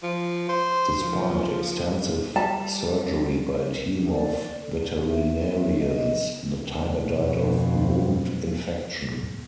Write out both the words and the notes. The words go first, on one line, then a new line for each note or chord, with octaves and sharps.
Despite extensive surgery by a team of veterinarians, the tiger died of wound infection.
F3
C5
F3
G3 A5
D5
A4
E5
D#5
F2 B2